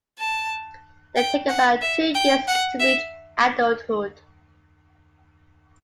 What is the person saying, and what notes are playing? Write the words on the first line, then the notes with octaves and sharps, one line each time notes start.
They take about two years to reach adulthood.
A5
G5
F#5
E5
G5
F#5
E5